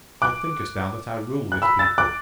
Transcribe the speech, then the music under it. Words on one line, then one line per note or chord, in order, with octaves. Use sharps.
How thinkest thou that I rule this people?
D6 F#6
F#6
B5 E6
E6 A6
D6 F#6